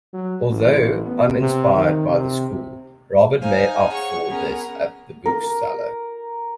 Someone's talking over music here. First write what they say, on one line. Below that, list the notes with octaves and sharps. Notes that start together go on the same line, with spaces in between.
Although uninspired by the school, Robert made up for this at the bookseller.
F#3
A1
B3
C3
D#3
C3
D#4 C5 F5 G#5
G#4 C#5 F#5 C#6
B3 C#4 G#4 A#4
A#4